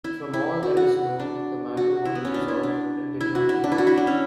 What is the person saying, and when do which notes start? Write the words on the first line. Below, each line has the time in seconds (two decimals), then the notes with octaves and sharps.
From all that is known, the matter was resolved, and did not recur.
0.04 E4
0.34 E4
0.63 F#4
0.77 F#4
1.20 D4
1.77 F#4
2.05 E4
2.15 B3
2.25 C#4
2.34 D4
2.48 E4
2.63 D4
3.21 E4
3.35 F#4
3.49 E4
3.64 D4
3.72 E4
3.78 F#4
3.87 E4
3.97 D4
4.07 C#4